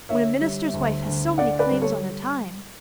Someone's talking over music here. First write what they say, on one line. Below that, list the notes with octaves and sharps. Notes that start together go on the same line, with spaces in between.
When a minister's wife has so many claims on her time!
D3 C#5 E5
G3
D2
D2
D3 D5 F#5
B4 D5
G3
A4 C#5